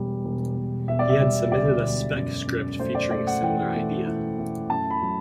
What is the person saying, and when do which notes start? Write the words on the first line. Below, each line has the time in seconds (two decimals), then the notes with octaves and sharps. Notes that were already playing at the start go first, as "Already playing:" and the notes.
He had submitted a spec script featuring a similar idea.
Already playing: E1 G3
0.25 E1
0.56 E1
0.88 E1 E5
0.99 D5
1.10 E5
1.20 G3
1.52 D2 D5
1.83 E1
2.15 F#2
2.47 F#2
2.79 A3 C5
2.95 D5
3.11 A3 D5
3.27 F#5
3.42 E3 G5
3.75 A3
4.06 E4
4.38 A3
4.70 F#2 A5
4.90 B5
5.02 F#3